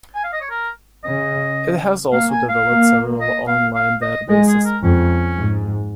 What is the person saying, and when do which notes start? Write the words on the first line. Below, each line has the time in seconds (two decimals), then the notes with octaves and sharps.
It has also developed several on-line databases.
0.15 G#5
0.24 F5
0.33 D#5
0.41 C#5
0.50 A#4
1.04 C#3 D#5
2.12 A#3 F5
2.31 G#5
2.49 F5
2.66 A#3
3.21 D#5
3.48 F5
3.75 F5
4.02 D#5
4.29 G#3 D#5
4.47 G#4
4.65 A#4
4.83 F2 C#4
5.37 G#2